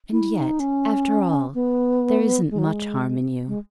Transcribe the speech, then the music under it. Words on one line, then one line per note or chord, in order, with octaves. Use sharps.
And yet, after all, there isn't much harm in you.'
E4
D#4
C#4
B3
G#3
F#3
G#3
G#3